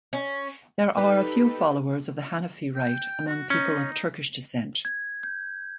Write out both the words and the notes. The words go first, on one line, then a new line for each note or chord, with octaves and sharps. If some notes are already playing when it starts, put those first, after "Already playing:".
There are a few followers of the Hanafi rite among people of Turkish descent.
C#4
D#4 G4 A4 B4
G5
F#4
C#4 D#4
G#6
G6